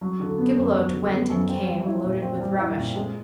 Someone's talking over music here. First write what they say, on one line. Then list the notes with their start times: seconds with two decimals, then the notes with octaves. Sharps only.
Gibelotte went and came loaded with rubbish.
0.01 F#3
0.20 D3
0.38 B3
0.56 F#2
0.75 F#3
0.93 D3
1.12 B3
1.30 F#2
1.48 C4
1.67 G3
1.85 E4
2.03 A#2
2.22 C4
2.40 G3
2.59 E4
2.77 A#2
2.96 G#3